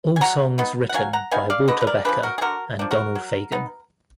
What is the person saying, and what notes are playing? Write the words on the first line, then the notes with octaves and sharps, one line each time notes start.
All songs written by Walter Becker and Donald Fagen.
G#5
F#3 F#5 A#5
B3 D#4
F#5
F#3 F5 G#5
F#5 A#5
B3 D#4 F5 G#5
D5 F5
D3 B4 D#5
B4
A#4 D5
F3 A#3 D4 G#4 B4
F#4 A#4
G#4
D3 F#4 A#4
F3 A#3 D4
F#4 A#4
F#3
B3 D#4